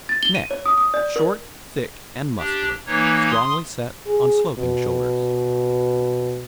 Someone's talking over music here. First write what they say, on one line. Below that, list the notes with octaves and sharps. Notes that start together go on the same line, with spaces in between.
NECK--Short, thick and muscular; strongly set on sloping shoulders.
A6
G7
D#7
C#5
D#6
D#6
D5
A#4
D4 G4
E3 A#3 D#4 C#5
C6 D#6
G#4
B2